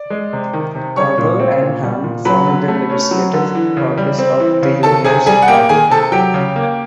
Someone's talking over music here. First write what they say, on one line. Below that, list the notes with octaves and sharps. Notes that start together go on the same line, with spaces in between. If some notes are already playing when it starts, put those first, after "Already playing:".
Collver and Ham formed the legislative caucus of the Unionest Party.
Already playing: D5
G#3
C3
D#3
C3
G3 C#5 C#6
A#2
C4
A#2
G3
A#2
F#3 B4 B5
D3
A3
C#4
F#3
D3
E3
C#3
G3
C4
E3
C#3
D#3 A4 A5
C3 G#4 G#5
G3 G#4 G#5
F#5
A#3 G4 G5
D#3 G#4 G#5
C3 A4 A5
F#3 G4 G5
C#3
A#3